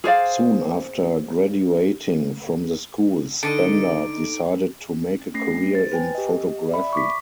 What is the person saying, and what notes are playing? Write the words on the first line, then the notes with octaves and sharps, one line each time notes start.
Soon after graduating from the school Spender decided to make a career in photography.
G#4 C5 D5 F5
D3 D#4 A4 D#5 D7
A3 C#4 A#6 C7
C5 A6
B4 G5 G#5
G4 D#5
D5 E5 B5
C#6 D6 B6